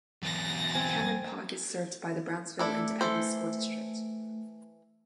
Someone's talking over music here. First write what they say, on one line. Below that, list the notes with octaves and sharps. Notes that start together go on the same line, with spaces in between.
Cameron Park is served by the Brownsville Independent School District.
E2 F#3 A6 A#6
C4 G#5
A3 D4 E4 A4
E3 A4 C5